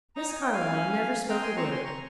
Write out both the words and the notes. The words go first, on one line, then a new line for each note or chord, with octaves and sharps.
Miss Carlyle never spoke a word.
D#4 A#5
G#5
G5
F5 G#5
C#4
C4 G5 A#5
G#5 C6
C4 A#5 C#6
G#5 C6
A#5 C#6